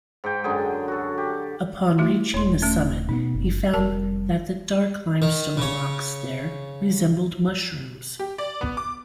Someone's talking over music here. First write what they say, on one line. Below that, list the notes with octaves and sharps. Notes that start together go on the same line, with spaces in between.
Upon reaching the summit, he found that the dark limestone rocks there resembled mushrooms.
G#2 G5
F#2 D3 G#4 G5
F#4 A4
G4
A3 E4 F#4
D#1 C#5 C6
A3 C#4
B2 A#3 B3 D#4
F#1
F1 G3 A#4 A5
D#3
C#3 C#5
G4
D5
B3
D6